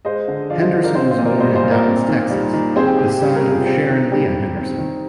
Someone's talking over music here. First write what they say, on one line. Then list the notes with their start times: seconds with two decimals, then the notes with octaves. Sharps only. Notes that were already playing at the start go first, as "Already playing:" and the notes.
Henderson was born in Dallas, Texas, the son of Sharon Lea Henderson.
0.05 G#3 C5 D#5
0.28 D3
0.50 F3 D5 F5
0.62 C5 D#5
0.73 D3
0.84 A#4 D5
0.95 C4 C5 D#5
1.11 C5 D#5
1.18 A#2
1.26 A#4 D5
1.40 G3 C5 D#5
1.55 C5 D#5
1.64 A#2
1.71 A#4 D5
1.86 C4
2.08 D#3
2.30 G3
2.53 D#3
2.76 C4 G#4 C5
2.87 G4
2.99 C3 G4
3.09 G4
3.21 G3 G4
3.36 G4 A#4
3.44 C3
3.51 F4 G#4
3.66 C4 G4
3.89 D#3
4.11 G3 G4
4.33 D#3
4.57 C4
4.79 D#3